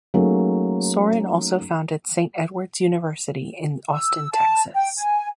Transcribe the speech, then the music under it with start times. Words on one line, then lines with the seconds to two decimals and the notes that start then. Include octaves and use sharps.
Sorin also founded Saint Edward's University in Austin, Texas.
0.14 F#3 A3 A#3 C#4 D#4 G#4
3.93 E6
4.31 A5
4.75 G5
4.96 G#5